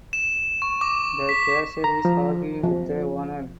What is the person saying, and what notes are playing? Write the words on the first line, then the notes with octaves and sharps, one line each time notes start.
The cashier is arguing with the owner.
E7
C#6
D6
B6
A#5
F3
F3